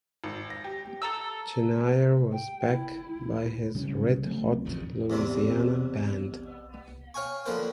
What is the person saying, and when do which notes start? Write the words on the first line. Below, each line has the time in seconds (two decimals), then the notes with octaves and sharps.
Chenier was back by his Red Hot Louisiana Band.
0.24 G#1
0.50 A#6
0.64 G4
1.02 A4 A#5 E6
2.32 G5
2.67 E4
3.75 C#3 G3 A#3 C#4
4.26 F#3 A3 C4
4.65 A1 F2 A2 D3
5.10 E2 C3 G3 C4
7.14 C#5 F5 G5 G#5 C#6
7.46 D3 F3 A#3 B4 C5 G5